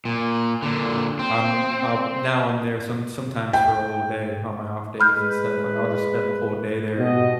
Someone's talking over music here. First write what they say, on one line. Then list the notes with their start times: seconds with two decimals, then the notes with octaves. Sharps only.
um, um, now I'm there some sometimes for a whole day on my off days and stuff, like, I'll just spend the whole day there an
0.05 A#2
0.62 A#2 D3
1.19 C4
3.53 G5
5.00 G#3 B4 B5 F6 G6
6.97 B2 G4 D#5